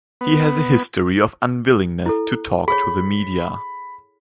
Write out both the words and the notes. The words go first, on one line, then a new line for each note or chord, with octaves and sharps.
He has a history of unwillingness to talk to the media.
B3
E4 A4
G#4 C#5 B5